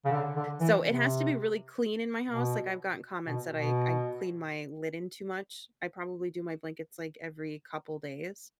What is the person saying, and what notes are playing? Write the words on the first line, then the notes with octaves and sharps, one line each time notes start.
so it has to be really clean in my house, like, I've gotten comments that I I clean my linen too much, I probably do my blankets, like, every couple days.
C#3
D3
D3
E3
C3
B2
B2
B2